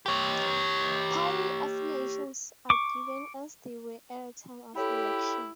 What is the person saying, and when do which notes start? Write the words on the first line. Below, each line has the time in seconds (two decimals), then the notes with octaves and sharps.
Party affiliations are given as they were at the time of election.
0.06 G4 C#5
2.70 C#6 D6
4.76 E4 G4 A4 C#5 B5